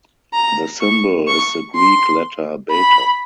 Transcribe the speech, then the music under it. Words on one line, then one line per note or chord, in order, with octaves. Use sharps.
The symbol is the Greek letter beta.
A#5
C#6
C#6
C6
B5